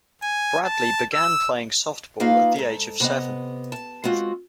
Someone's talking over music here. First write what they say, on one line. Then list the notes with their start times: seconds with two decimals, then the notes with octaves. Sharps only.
Bradley began playing softball at the age of seven.
0.23 G#5
0.65 A5
1.14 E6
2.20 A#3 D#4 F4 B4 F5
2.56 G#2 A4
3.00 C3 B3 D#5
3.72 A5
4.04 G#3 C4 F4 F#4